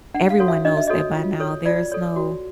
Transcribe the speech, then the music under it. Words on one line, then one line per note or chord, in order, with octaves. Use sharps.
everyone knows that by now, there is no
D4 F#5
F5
F#4 A4 C#5
E5
D4 D#5
E5
F#4 A4 C#5 D#5
F4
A4 C#5
F4 D5
A4 C#5
F#4